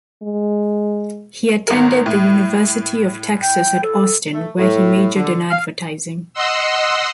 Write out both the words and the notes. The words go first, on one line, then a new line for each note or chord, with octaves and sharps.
He attended the University of Texas at Austin where he majored in advertising.
G#3
G#1 A#4
A2
G5
A4
A3
A2
D3
F5
D#5 F#5 C6 E6